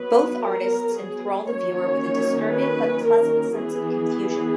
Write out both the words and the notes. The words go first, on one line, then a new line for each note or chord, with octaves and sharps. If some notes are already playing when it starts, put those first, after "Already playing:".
Both artists enthrall the viewer with a disturbing but pleasant sense of confusion.
Already playing: F#3 B3 B4
A#4
G#4
D#3 F#3 A#3 C#4 C#5
B4
A#4
E3 B3 G#4